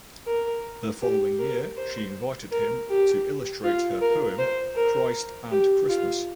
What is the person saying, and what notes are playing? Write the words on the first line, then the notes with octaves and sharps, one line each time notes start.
The following year she invited him to illustrate her poem "Christ and Christmas".
A#4
G4
A#4
C5
A#4
G4
F4
A#4
C5
A#4
G4
F4